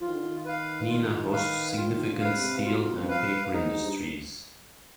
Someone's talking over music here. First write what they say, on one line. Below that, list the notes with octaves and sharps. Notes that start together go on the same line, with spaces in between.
Neenah hosts significant steel and paper industries.
F3 F4
D#3
D3
D#3
B4 F5
F4
B4 F5
D#3 F4
D#3
D3
B4 F5
C3
B2 F4
F2
B4 F5
G#2 D#4
G2